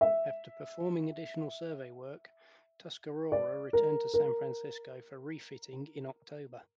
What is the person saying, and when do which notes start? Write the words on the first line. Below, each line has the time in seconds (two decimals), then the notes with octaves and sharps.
After performing additional survey work, "Tuscarora" returned to San Francisco for refitting in October.
0.01 E5
3.32 D5
3.73 A#4
4.14 A#4